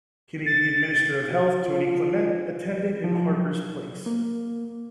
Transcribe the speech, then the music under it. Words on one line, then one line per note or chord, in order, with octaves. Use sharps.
Canadian Minister of Health Tony Clement attended in Harper's place.
A6
F#3
F3
F3
F#3
A#3